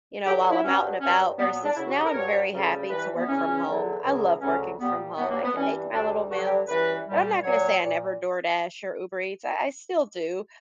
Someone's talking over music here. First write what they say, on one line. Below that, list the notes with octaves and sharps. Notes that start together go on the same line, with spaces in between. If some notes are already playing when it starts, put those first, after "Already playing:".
you know, while I'm out and about, versus, now I'm very happy to work from home. I love working from home, I can make my little meals, and I'm not gonna say I never DoorDash or Uber Eats, I I still do,
G2 D3 F#3 G4
F#4
E4
G2 F#3 C#4
G2 F#3 C#4
A#2 F#3 B3
B3
D4
F#2 C#3 F#3 E4
F#4
G4
A#4
G2 F#3 C#5
D2 C#3 G3
G2 E3 G3 B4
B3
E2 C#3 E3 C#4
E2 D3 F#3
C#2 B2 F#3
D2 C#3 F#3 C#4
A#2 G3 B3
G2 F#3 B3
A#3
B3
G2 E3 G3 C#4
D2 D3 G3 D4
G2 D3 F#3 F#4
G4
F#2 E3 G3 B4
A#2 G3
A#2 F#3 C#5
A#2